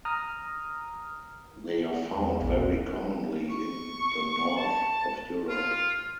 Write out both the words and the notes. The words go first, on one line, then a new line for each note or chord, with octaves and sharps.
They are found very commonly in the north of Europe.
A#5 D#6 F6
E2
A#1
E1
C#6
A5
F4